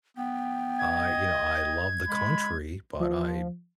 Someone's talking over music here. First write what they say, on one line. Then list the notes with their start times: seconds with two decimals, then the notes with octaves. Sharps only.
I you know, I love the country, but I
0.17 B3 G5
0.79 D#5 G#6
2.08 G#3 B5
3.00 F3